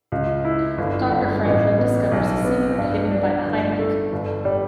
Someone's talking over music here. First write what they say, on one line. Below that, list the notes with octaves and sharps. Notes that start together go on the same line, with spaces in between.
Doctor Franklin discovers a secret hidden by the Hyach.
C#2
E4
G1
G1
A1
B3
B1
B3
G2
D4
G1
A3
G1
G3